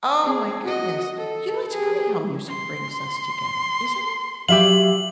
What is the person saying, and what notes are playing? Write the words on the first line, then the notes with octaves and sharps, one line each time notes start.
Oh my goodness. You know, it's funny how music brings us together, isn't it?
C4 G#4
F#4 D#5
A4
G4 G#4
C6
F#3 G4 E5 F5 F#7